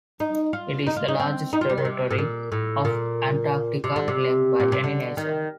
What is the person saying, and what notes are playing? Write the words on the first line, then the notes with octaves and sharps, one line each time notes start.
It is the largest territory of Antarctica claimed by any nation.
D#4
F4
D#4
F4
D#4
C4
D#4
F4
G3
D#3
C3
A2
A#2
A2
A#2
C3
D3
C3
A#2
C3
D3
D#3